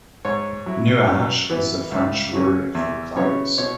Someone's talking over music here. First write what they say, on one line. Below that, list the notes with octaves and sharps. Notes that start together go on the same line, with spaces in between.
"Nuages" is the French word for "clouds".
G#2 C#5
F#3 E4
F#2
E3 B3 E4
C#2 E5
C#3 F#3 C#4
E2 E5
C#3 F#3 B3 E4 C#5
B2 C#5